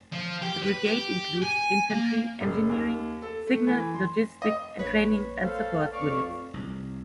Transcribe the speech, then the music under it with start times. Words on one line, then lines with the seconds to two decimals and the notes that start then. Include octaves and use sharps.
The brigade includes infantry, engineering, signal, logistic and training and support units.
0.13 F3
0.42 G4
0.63 B4
0.86 G4
1.42 G#5
1.90 A#3
2.40 F#1
2.69 D#2
3.22 A4
3.47 A3
3.67 E3
3.94 C6
4.42 D#5
4.78 A#1 B4 C#5
5.41 A4 C5 F5
5.92 F2 D5 F5 C#6
6.54 C2